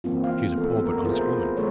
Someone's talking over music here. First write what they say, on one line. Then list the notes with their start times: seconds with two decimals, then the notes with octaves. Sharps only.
She is a poor but honest woman.
0.04 E3 F3 A#3 C4 F4
0.24 F5
0.54 A3 B3 A4
0.86 A#4
1.04 E4 F4 G#4 A#4 C5
1.57 G#3 A3 G#4 A#4 C5 C#5